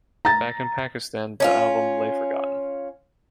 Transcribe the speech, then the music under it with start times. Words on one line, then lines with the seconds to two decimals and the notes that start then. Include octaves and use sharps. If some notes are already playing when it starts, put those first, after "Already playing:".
Back in Pakistan, the album lay forgotten.
0.25 A#5 A6
1.40 C#4 D#4 F4